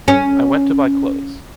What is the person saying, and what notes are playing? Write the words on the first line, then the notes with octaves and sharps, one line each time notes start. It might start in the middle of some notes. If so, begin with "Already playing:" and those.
I went to buy clothes.
C#4